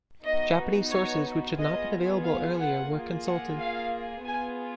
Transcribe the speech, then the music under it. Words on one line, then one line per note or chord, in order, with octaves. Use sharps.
Japanese sources which had not been available earlier were consulted.
B3 D#4 F#4 D#5
C#5
B3 F4 G#4 D#5
F5
F#5
A#3 F4 G#4
F#5
F5
B3 F4 G#4 G#5